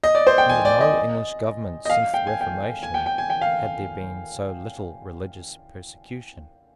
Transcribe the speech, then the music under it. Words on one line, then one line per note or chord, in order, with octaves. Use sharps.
Under no English government since the Reformation, had there been so little religious persecution.
D#5
D5
C5
G5
G#5
D5
D#5
D#5
F5
G5
G#5
G5
G#5
G5
G5
G#5
G5
F5